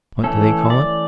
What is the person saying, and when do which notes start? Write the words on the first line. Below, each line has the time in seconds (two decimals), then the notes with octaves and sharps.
What do they call it?
0.24 E3 A3 C#4 A4
0.70 D5